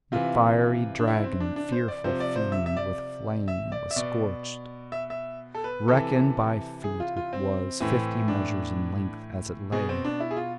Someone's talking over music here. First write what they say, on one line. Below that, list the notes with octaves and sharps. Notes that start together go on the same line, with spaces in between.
The fiery dragon, fearful fiend, with flame was scorched. Reckoned by feet, it was fifty measures in length as it lay.
C3 E3 F4
D4
E4
C4
D4
D4
C5
D5
C3 F3 C5
D5
C5
E5
E5
D5
E5
D5
E5
B2 D5
E5
E5
A4
B4
C3 E3 A4
G#4
F4
F4
C4
A2 E3
D4
B2 G#4
C4
D4
E4
G#4
F4